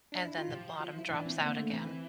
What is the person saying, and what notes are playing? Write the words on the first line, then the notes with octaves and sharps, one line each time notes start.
and then the bottom drops out again.
D4
E4
F4
F3 G4
F4
E4
E3 D4
C4
D3 A#3
A3
E3 C4